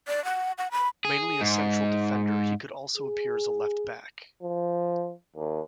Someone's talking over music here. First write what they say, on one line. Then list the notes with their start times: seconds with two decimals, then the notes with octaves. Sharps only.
Mainly a central defender, he could also appear as a left back.
0.08 D5
0.25 F#5
0.58 F#5
0.71 B5
1.05 G#4
1.41 G#2
2.97 G#4
4.42 F3
5.36 D#2